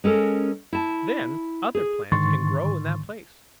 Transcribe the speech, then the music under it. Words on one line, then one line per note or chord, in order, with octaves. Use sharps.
Then other plants can grow in that place.
G#3 C#4 A4 A#4
E4 A5
G#4
G#2 D3 D#3 C6 C#6 A6